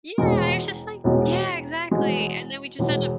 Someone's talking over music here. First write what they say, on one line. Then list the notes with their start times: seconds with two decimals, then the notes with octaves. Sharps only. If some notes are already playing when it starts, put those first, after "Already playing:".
Yeah, it's just like Yeah, exactly, and then we'd just end up
0.18 E1 E2 B2 G#3
1.04 E1 E2 B2 G#3
1.91 E1 E2 B2 G#3
2.79 E1 E2 B2 G#3